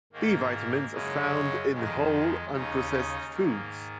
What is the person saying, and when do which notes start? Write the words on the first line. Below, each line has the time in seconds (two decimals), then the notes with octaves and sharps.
B vitamins are found in whole unprocessed foods.
0.13 G#2 D#3 A#3
0.93 F#2 C#3 G#3
1.73 F2 D#3 G#3
2.53 D#2 C#3 D#4
3.33 G#2 D#3 A#3